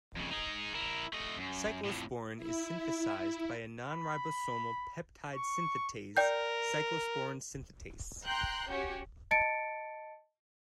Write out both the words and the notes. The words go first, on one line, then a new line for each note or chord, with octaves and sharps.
Cyclosporin is synthesized by a nonribosomal peptide synthetase, cyclosporin synthetase.
F2 C#3
D#4 G#4
E4 A#4
A3 D#5
F#2
F2 A2
E4
B5
C#6
A#4 D5 G5 G6
G5 A#5 C6 F#6 G6
C#4 F#4 G4 C#5
D#5 A5 A6 C#7 D7